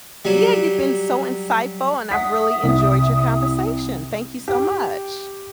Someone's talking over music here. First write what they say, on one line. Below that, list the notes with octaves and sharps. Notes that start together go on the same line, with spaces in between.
Yeah, you've been so insightful, and I've really enjoyed your conversation. Thank you so much.
F#3 G3
E5 F#5 D#6 B6
C2
G4